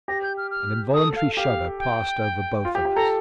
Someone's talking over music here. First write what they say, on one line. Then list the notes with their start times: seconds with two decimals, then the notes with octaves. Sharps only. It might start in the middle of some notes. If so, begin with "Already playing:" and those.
An involuntary shudder passed over both of us.
0.08 G4 A#6
0.23 G6
0.37 F6
0.51 F6
0.94 A4 D#6
1.16 F5
1.36 G4 F5
1.79 G5
2.65 F4
2.75 G4
2.85 G4
2.96 A4 A#5